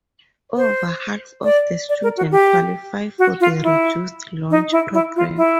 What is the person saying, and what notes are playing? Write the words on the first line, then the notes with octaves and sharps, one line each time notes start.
Over half of the student qualify for the reduced lunch program.
C5
D5
D5
A#4
F#4
G4
F#4
F4
E4
D#4
E4
E4
F4
E4